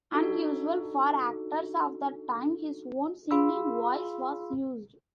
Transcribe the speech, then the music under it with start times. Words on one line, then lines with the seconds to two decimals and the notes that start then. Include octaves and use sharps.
Unusual for actors of the time, his own singing voice was used.
0.12 D4 D#4 F#4 A4
3.31 F4 G#4 F5 B5 C6 E6